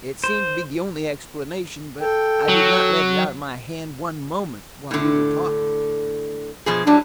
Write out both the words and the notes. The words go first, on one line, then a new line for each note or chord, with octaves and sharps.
It seems to be the only explanation, but I did not let it out of my hand one moment while we were talking.
C5
A4 G5
F#3
A2 D3
B2 F3 G#4
A2 F#3 G3 D4